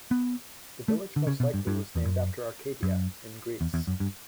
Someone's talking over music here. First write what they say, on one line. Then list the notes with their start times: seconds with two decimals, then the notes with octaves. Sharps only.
The village most likely was named after Arcadia, in Greece.
0.11 B3
0.88 A3
1.16 D3
1.27 C#3
1.40 B2
1.54 G2
1.67 G2
1.95 E2
2.05 F#2
2.83 F#2
3.61 E2
3.74 E2
3.87 F#2
4.00 G2